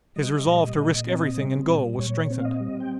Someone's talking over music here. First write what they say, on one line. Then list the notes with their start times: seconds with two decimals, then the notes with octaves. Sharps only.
His resolve to risk everything and go was strengthened.
0.16 G3 D#5
0.46 A#2
0.77 A#2
1.07 C4
1.38 G3
1.68 A#2
1.99 A#2 C#5
2.30 C4
2.39 F5
2.45 D#5
2.60 G3
2.80 G5